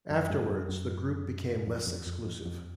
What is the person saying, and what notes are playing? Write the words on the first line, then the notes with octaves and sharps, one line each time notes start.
Afterwards, The Group became less exclusive.
F#2
G2
F#2
F#2
F2
F2
F2
F2
F2